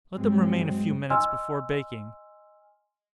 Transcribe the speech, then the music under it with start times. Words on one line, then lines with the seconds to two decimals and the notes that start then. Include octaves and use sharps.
Let them remain a few minutes before baking.
0.14 G2 F#3 G#3 C4
1.10 D#5 G#5 C6 E6 F6